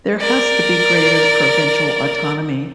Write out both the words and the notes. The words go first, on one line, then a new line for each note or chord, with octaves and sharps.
There has to be greater provincial autonomy.
A#4 D5